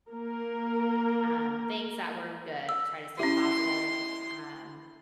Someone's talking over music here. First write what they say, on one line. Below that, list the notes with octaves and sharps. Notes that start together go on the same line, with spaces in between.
um, things that were good, try to stay positive, um
A#3 A#4
E6
C#4 E4 G4 C6